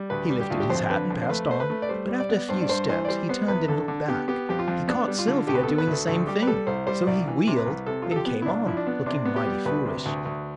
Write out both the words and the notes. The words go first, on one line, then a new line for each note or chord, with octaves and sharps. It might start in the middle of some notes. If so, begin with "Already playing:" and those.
He lifted his hat and passed on, but after a few steps he turned and looked back; he caught Sylvia doing the same thing, so he wheeled and came on, looking mighty foolish.
Already playing: G3
D2 B4
G3
G4
D2 F4
G4
F2 C5
D3 B4
F2
C5
A3 B4
A3 C5
B4
A3
D5
G3 C5
G3
D5
B3
G2 C5
D5
G2 C5
E3 C5
D5
G3 C5
B3 C5
E2 B4
D3 A4
D3
B3 G4
B3 G4
F2 G4
F4
F2
B3 D4
G3
F4
D3
D2 G4
B4
B3 A4
B4
D2
A4
D2 A4
G3 G4
B4
G3 A4
C2 C5
G3 C5
C2 D5
E3
C3
B4
C2
C3 A4
F3 F4
A4
G4
B3
E4
C2 D4
F3 E4
D4
B3
C3 D4
B3
G4
G3
D2 B4
C3
D2
D2